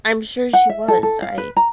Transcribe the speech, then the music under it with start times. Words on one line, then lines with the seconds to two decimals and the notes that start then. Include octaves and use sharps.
I'm sure she was. I
0.53 F#5
0.69 E5
0.88 A4
1.03 A4
1.22 F5
1.38 B4
1.56 A#5